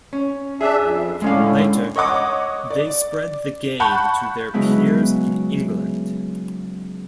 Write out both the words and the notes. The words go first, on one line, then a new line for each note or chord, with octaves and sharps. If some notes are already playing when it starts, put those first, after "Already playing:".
Later they spread the game to their peers in England.
C#4
D4 G#4 E5
F2
A2 D3 G#3 C#4 F5
C#5 D#5 F#5 D6 D#6
D5
F#5 A5 B5 C#6 F#6 G6
C#3 F#3 G#3 B3 E4